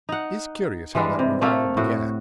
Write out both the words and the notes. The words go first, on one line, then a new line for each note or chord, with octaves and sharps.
It is curious how that revival began.
D#4 F#5
E3 G3 G#3 D4
C3
C3 A3 A#3 A4
A2 F#4